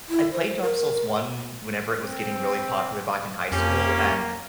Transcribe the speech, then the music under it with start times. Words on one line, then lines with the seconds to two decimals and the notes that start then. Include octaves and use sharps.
I played Dark Souls one, whenever it was getting really popular back in high school, and,
0.09 E4
0.32 C5
0.62 A#4
2.03 C4
3.52 F2 A#3 C#4 G4